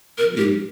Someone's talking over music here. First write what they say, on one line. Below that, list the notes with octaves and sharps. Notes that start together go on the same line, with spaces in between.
It'd be
A#4
G4